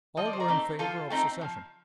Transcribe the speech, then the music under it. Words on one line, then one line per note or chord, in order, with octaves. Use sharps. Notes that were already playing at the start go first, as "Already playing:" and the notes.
All were in favor of secession.
F3 D#5
D5
C5
A#4 D5
A3 C4 D#4
F3 F4 A4
A3 C4 D#4
F3